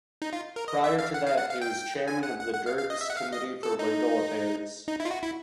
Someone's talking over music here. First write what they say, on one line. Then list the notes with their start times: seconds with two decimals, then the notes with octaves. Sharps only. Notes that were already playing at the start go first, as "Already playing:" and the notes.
Prior to that, he was chairman of the Derg's committee for legal affairs.
0.22 D#4
0.33 F4
0.56 A#4
0.68 D#5
0.84 E5
0.99 F5
1.14 F#5
1.27 F5
1.38 F#5
1.50 F5
1.62 G5
2.08 G#5
2.23 F#5
2.40 F#5
2.54 F#5
2.66 F5
2.77 F5
2.90 D#5
3.01 E5
3.10 F#5
3.17 F5
3.33 D#5
3.63 A4
3.79 D#4
4.88 D#4
5.00 E4
5.05 F4
5.11 F#4
5.23 E4